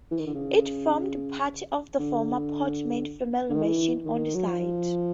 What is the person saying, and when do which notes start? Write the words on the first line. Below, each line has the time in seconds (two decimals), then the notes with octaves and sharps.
It formed part of the former Portman family mansion on the site.
0.11 E3
0.19 D#3
0.27 D3
0.34 C#3
1.99 D3
3.50 D3
3.56 D#3
3.63 E3
4.05 D#3
4.34 F#3
4.46 F3